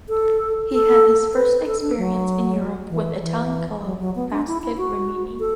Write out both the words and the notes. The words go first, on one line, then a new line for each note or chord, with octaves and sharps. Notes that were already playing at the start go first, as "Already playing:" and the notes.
He had his first experience in Europe with Italian club Basket Rimini.
A4
A4
B4
A4
D4
F#3
E3
E3
F#3
F#3
B3
D4
E4
E4
F#4
A4